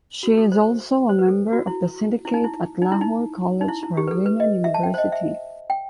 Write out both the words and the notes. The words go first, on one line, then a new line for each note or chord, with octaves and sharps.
She is also a member of the Syndicate at Lahore College for Women University.
F#4
A4
C5
C5
B4
A4
F#4
E4
E4
D#4
E4
D#4
E4
D#4
D#4
E4
E4
G4
B4
A4
B4
D#5
E5
A5
G5
C5
D#5
E5
G5